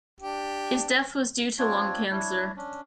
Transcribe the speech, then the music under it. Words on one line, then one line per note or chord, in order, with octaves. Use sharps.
His death was due to lung cancer.
D4 G4
C4 D4 F4 C#5
D4 E4 C#5
C#4 D4